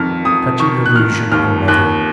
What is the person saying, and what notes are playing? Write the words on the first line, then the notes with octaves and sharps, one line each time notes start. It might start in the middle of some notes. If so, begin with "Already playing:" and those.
Touching illusion of a mother!
Already playing: F2 D#3 F6
F2 D#6
D#3 C#6
F#6
D#3 F6
D#2 F6
D#2 F#6